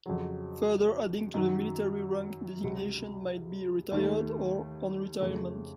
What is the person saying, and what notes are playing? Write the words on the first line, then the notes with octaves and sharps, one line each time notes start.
Further adding to the military rank designation might be "retired" or "on retirement".
F2 C#3 F#3
F#2 D#3 F#3
C#2 C3 F#3
D#2 D#3 A3
F2 C#3 A3